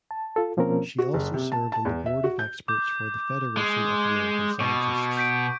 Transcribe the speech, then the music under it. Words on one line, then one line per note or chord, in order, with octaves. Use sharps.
She also served on the board of experts for the Federation of American Scientists.
A5
F4 A4
B2 F3 A#3 C4 C#4 A#4
F#4
F#1
C3
A5
A5
E2
E5
F#4
G6
D6 G6
G#3
B2 C#6
G6 B6 D7